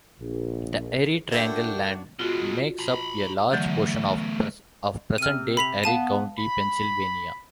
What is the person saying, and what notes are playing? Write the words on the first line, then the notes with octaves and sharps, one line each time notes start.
The Erie Triangle land makes up a large portion of present-day Erie County, Pennsylvania.
A#1
A3 D4 E4 F#4 A#4 G5
B2 G#3 F4 F#4
A#5 B5
D3 E3 F#3 A3 B3
C3 C4 F6 D#7
B5 B6 F7
B3 F5 A5 D#7
B5